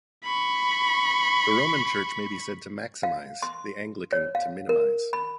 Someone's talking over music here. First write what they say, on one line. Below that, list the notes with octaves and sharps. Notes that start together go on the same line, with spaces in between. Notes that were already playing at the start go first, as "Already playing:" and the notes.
The Roman Church may be said to maximise, the Anglican to minimise.
B5 C#6
F5
C6
C#5
F5
A#4
B5